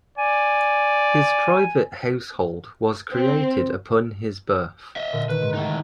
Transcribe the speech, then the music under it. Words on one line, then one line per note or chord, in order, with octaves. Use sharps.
His private household was created upon his birth.
D5 G#5
C4
D#5 E5
A#2 D3
D#3 B4
G#2
A3 D#4 E4 G5